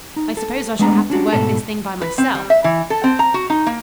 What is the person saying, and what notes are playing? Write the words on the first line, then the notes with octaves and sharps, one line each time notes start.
"I suppose I shall have to work this thing by myself."
D#4
A4
G#3 A3 B3 D4 G#5 A#5
C#4 D4 F#4 G4
G#2 B2 A3 A4
B4
C4
G3
E5
E3
A4
C4
A#5
F#4
D#4
A#3